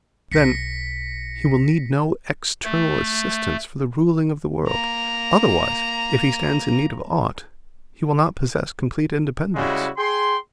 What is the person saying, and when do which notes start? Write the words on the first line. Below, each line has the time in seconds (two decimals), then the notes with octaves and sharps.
'Then, He will need no external assistance for the ruling of the world. Otherwise, if He stands in need of aught, He will not possess complete independence.'
0.32 B1 A#6 B6 C#7
2.65 A3
4.67 A#3 A#5
9.55 C#3 G3 G#3 E4 F#4
9.97 G#4 G5 C6